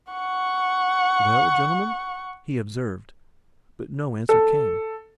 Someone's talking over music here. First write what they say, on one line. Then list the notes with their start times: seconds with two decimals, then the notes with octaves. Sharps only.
"Well, gentlemen?" he observed, but no answer came.
0.12 F#5 C#6
4.29 A4